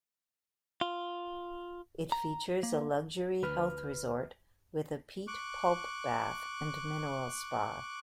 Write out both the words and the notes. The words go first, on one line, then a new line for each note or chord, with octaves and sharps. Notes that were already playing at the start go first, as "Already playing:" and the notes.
It features a luxury health resort with a peat pulp bath and mineral spa.
F4
A#5
A#3
D2 B4 F6
C#6 D6 F#6